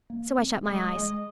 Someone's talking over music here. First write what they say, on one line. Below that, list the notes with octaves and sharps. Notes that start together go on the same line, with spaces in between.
So I shut my eyes.
A#3
C4
G#3 D#5
G#3